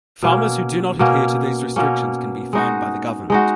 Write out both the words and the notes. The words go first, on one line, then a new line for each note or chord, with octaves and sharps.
Farmers who do not adhere to these restrictions can be fined by the Government.
B2 A#3 C#4
B2 A#3 C#4
B2 A#3 C#4
G#3 D#4 F#4
G#3 D#4 F#4